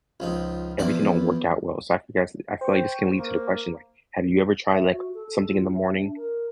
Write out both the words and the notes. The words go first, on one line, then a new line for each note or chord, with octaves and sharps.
"Everything don't work out well." So I can guess I feel like this can lead to the question, like, have you ever tried, like, something in the morning
C#2 F3 D#4
E2 F3 E4 D5 D6
C5 G5 C#6
A#3
E5
F#4
A4
A4
F4
E5
D4
A#4